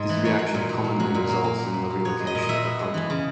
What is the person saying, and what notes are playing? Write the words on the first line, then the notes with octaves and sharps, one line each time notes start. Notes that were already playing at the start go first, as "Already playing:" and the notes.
This reaction commonly results in the relocation of a proton.
Already playing: G#2 G#3
E3
A#3 C#5
F#3
A#2
A#2
A#3
F#3
A#2
A#3
A#3
A#2
A#2
A#3
B3 C#5
G#3
D#5
A#2
D#5
A#2 E5
B3
G#3
E3
C#3